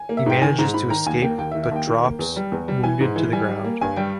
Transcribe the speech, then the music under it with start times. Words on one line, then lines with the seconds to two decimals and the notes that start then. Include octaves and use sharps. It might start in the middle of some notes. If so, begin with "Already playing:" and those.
He manages to escape, but drops, wounded, to the ground.
Already playing: G#5
0.09 A#3
0.17 E5
0.26 G#2 G5
0.42 D#3 G#5
0.58 G#2 A#5
0.74 G#2 B5
0.90 D#3 A#5
1.06 D#2 G#5
1.22 A#3 G5
1.38 D#2 G5
1.51 E5
1.55 D#3
1.63 E5
1.71 D#2 G5
1.88 D#3
2.04 A#3
2.19 E2
2.36 G3
2.52 E2
2.68 G3
2.83 E3 G#5
3.01 G#2
3.16 E3
3.32 G3 G#5
3.48 G3
3.64 A#3
3.81 G2 G#5
3.96 G3 G5